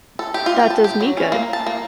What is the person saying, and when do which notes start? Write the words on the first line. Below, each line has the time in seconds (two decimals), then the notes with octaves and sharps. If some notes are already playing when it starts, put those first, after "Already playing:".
That does me good!
0.19 A4
0.34 G4
0.46 F4
0.59 G5
0.70 A5
0.84 G4
1.01 F#3
1.17 C#4
1.32 A#3
1.53 A5
1.66 A#3